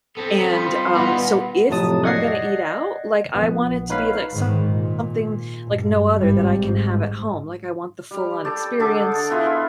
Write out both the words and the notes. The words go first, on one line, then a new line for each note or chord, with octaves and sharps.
and, um, so if I'm gonna eat out, like I want it to be like something like no other that I can have at home, like, I want the full-on experience.
B3 C4 A4
G3 F4 B5 C6
A#2 B3 D#4
F2 A2 C3 F#3 A5 D#6
D5 D#5 F#5 G#6 A#6 C7
A#1 B3
D#4 B4 C#5 F5 B5
G#2 D#3
A#2
G2
G#1 G3
G#2
G3
A4 D5 G5
D3 G#4 A4 D6
D#5 A5
B3 E4 F4 G#4